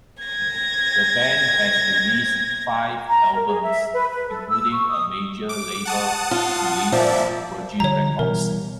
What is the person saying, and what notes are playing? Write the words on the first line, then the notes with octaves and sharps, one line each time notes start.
The band has released five albums including a major label release on Virgin Records.
G#6 A#6
A#5
A#4
G#4
E5
B4
B4
A4
E6
C#6
D#6
D6
F#5 A5 D#6
F4
A#2 F3 D5 E5
D3 F3 G3 C#5 A#5
B2 E3 G3 A#4